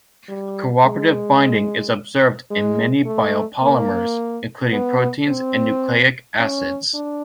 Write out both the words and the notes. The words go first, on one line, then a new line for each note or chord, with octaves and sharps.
Cooperative binding is observed in many biopolymers, including proteins and nucleic acids.
G3
G#3
G#3
A3
A#3
B3
C4
C#4
D4